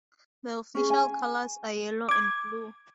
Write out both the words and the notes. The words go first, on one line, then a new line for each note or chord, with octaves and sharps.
The official colours are yellow and blue.
C#4 G#4
G#5
D6 G#6